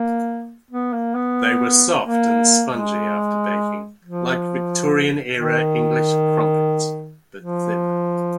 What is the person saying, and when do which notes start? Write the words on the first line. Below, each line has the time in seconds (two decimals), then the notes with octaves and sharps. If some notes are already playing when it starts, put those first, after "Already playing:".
They were soft and spongy after baking like Victorian-era English crumpets, but thinner.
Already playing: A#3
0.71 B3
0.93 A#3
1.15 B3
2.05 A#3
2.72 G#3
4.04 F3
5.37 D#3
7.39 F3